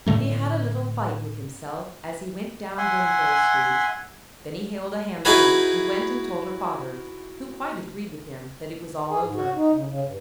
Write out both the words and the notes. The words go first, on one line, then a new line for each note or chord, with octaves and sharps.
He had a little fight with himself as he went down Wimpole Street; then he hailed a hansom, and went and told her father, who quite agreed with him that it was all over.
A2 D3 A3 A#3
E5 F#5 G#5 C6
D#4 E4 F#4 G#4 B4
G#4
G#2
F#4
D#4
C#3
C#3
G2